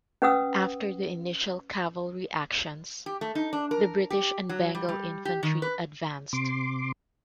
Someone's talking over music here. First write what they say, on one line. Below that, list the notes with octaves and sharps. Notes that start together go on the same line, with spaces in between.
After the initial cavalry actions, the British and Bengal infantry advanced.
C#4 B4 F#5 D#6 E6
G4
A3
D#4
D4
A#4
G4
F#3
G3
G3
G4
D#3
B4
C3 C6 D6